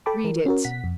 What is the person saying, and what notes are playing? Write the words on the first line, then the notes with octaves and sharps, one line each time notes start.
"Read it."
A4 G5 A5 B5 D6
E3 A#4
C#4 F#4 A#4
B2 F#5 B6
F2